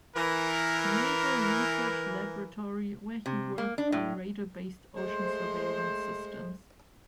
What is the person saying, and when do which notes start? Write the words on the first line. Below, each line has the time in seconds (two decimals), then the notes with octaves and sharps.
Naval Research Laboratory where he worked on radar-based ocean surveillance systems.
0.16 E3 A#4
3.26 C3
3.58 A#3
3.78 D4
3.92 A2
4.95 G#3 A3 C5